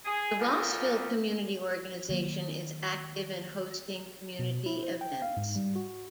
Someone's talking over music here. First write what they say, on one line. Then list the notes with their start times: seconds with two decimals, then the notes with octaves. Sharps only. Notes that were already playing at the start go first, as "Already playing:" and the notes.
The Rossville Community Organization is active in hosting community events.
0.05 G#4
0.39 D2 D3 F3 B3 A#4
2.09 D#3 F#3 A#3
4.39 B2
4.66 E4
4.83 C5
5.01 G5
5.22 F5
5.37 G#2
5.56 G3
5.76 F#4